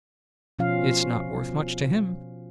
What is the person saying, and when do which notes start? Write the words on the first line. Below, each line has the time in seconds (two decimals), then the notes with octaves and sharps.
It's not worth much to him.
0.59 B2 F3 C#4 F4 F5